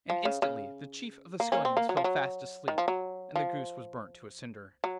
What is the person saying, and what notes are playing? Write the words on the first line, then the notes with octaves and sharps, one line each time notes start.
And instantly the chief of the scullions fell fast asleep, and the goose was burnt to a cinder.
F3
C#3
C#3
A#3
A#3 C#4
C4
A#3
F#3
F3
F#3
D#3
F3
F#3
F3
F#3